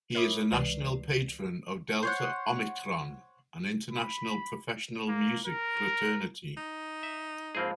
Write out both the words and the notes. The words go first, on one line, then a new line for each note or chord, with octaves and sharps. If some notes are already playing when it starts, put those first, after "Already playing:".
He is a National Patron of Delta Omicron, an international professional music fraternity.
A#4 C#5 E5 B5 D6 D#6
C#2 E3 G#3 B4 D5 C7
C5 C#5 F#5
B5
A#3
A#4
D#4
E5
G#2 F3 A#3 C4 G#4 B5